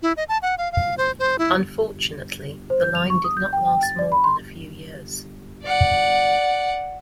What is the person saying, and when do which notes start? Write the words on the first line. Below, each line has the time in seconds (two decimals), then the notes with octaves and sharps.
Unfortunately, the line did not last more than a few years.
0.02 E4
0.17 D#5
0.29 A5
0.42 F#5
0.58 F5
0.72 F5
0.98 C5
1.19 C5
1.39 E4
2.70 C5
2.83 G6
2.95 F7
3.10 C#6
3.24 D#6
3.37 G6
3.53 G5
3.66 G5
3.83 A6
3.99 D5
4.12 B5
4.24 C6
5.64 D5 F#5